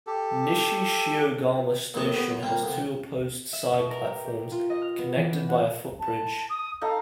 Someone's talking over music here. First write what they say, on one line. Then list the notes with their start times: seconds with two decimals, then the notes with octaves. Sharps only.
Nishi-Shiogama Station has two opposed side platforms connected by a footbridge.
0.07 G4 A4
1.94 A#1 D#2 A2 D#5 A5
2.14 A3 B3
2.30 F#2
2.43 G3 A#3 C4
2.63 D2 C3
3.53 E5
3.72 B2
3.90 A#4
4.04 G4
4.27 G4
4.52 F4
4.70 D#5
4.82 F6
4.98 B3
5.16 E3
5.49 F#5
5.99 A5
6.49 D#6
6.81 D#4 A4 F5